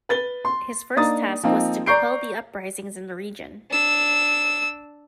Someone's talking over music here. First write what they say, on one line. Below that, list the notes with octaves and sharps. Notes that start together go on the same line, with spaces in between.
His first task was to quell the uprisings in the region.
B4 A6 G7
C6
A#3 D4 D#4 A#5 D#6 A6
F3 A#3 C4 D#4
D5 A#5 C#6 G6 C7 D7
D4 E6